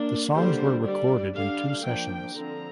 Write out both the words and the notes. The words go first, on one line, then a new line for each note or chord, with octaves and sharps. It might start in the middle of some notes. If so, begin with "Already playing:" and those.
The songs were recorded in two sessions.
Already playing: A#3 D4
D3 G3 A#3 D4 C5
G3 D4 D5
D3 G3 D4 F5
F3 A#3 D4 G5
D3 F3 C4 A#5